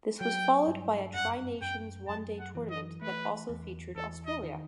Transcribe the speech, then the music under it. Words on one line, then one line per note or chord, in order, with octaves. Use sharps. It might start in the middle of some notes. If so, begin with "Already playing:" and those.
This was followed by a tri-nations one-day tournament that also featured Australia.
F#3 G5
G2
F#2 F#5
F#2 G5
F#2 A5
F#5
E3
D#5
A3 B4
E2
E2 A4
D#5
D#3